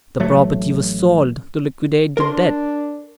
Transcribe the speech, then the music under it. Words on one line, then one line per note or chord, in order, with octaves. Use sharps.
The property was sold to liquidate the debt.
A1 F#3 A3
D4 A#4 C6